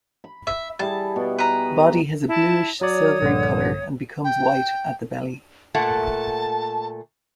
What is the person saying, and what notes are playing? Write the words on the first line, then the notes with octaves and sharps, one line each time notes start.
The body has a bluish silvery colour and becomes white at the belly.
B5
E5
G3 E4 G#4 A5
B2
B4 A#5
E4 A5
F#3 C#5 D5 D#6
A#1 G2 D3
G5
A#2 A3 F#5 A5